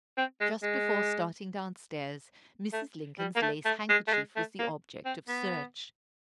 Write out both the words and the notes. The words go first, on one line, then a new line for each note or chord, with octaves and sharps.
Just before starting downstairs, Mrs. Lincoln's lace handkerchief was the object of search.
C4
G#3
G#3
A3
G3
A#3
A3
A3
G#3
A3
G#3
A3
A#3
C4
B3